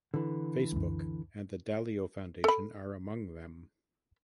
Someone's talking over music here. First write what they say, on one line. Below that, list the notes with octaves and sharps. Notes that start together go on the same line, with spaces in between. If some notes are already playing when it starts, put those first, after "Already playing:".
Facebook and the Dalio Foundation are among them.
D3 E3 A4
C#2 F#2
A4 B5